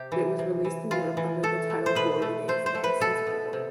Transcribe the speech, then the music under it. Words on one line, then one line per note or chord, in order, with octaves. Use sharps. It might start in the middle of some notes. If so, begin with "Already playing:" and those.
It was released in Europe under the title Glory Days: The Essence of War.
Already playing: C3 G4
E3
C3
E3
E3 F4
E3
A3 A4
A3
C5
B2 B4
A3
A3 C5
C5
A3
B4
B2 A4
B2
C3